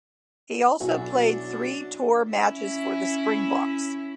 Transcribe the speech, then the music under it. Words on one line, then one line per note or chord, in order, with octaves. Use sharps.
He also played three tour matches for the Springboks.
B1 F#3 D4 E4 F#4 G#5
C#4 E4